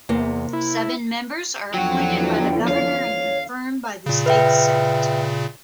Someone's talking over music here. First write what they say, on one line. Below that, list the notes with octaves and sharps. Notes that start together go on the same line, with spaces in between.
Seven members are appointed by the governor and confirmed by the state senate.
E2 C3 A#3
E4
E2 D3 F3 F#3 F#4 G5
C#5 F5
A#2 C#3
B4 E5 G5